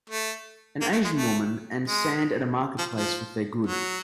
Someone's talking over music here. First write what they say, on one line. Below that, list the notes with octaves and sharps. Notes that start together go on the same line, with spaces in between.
An Asian woman and sand at a marketplace with their good.
A3
A#3
A3
G#3
A3
G#3
F3
F3
F#3